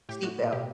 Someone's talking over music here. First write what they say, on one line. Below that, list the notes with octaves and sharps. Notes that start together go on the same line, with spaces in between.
Seat belt.
A2 G4
A2 F#4
A2
B2 G4